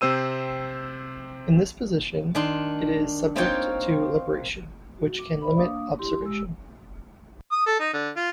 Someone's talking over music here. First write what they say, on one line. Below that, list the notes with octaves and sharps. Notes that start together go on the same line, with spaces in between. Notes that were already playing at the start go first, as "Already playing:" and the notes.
In this position it is subject to libration, which can limit observation.
C3 C4 C5 E6 D#7
D#3 D4 C6
A#3 C4 D#4 F4 C#5 G5
F#4
D6
C5 D5 E5 B5
A#3 D4 F5 D6 D#6
E4 G4 C6
G#3 G4 E6
D#6
A4
D#4
D3
F4